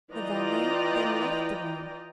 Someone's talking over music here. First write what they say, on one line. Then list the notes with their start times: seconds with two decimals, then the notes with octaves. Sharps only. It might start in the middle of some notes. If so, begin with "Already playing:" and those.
The valet then left the room.
0.14 E3 F4 D5 D#5 G5 A#5